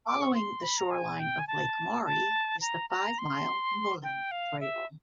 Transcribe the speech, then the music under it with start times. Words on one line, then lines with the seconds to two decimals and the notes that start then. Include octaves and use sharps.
Following the shoreline of Lake Maury is the five-mile Noland Trail.
0.07 D6
0.21 C#6
0.34 C6
0.62 B5
0.78 A#5
0.91 G#5
1.20 G5
1.39 G#5
1.47 A5
2.05 A5
2.61 A#5
2.90 A#5
3.19 C6
4.04 G5
4.31 F5
4.60 E5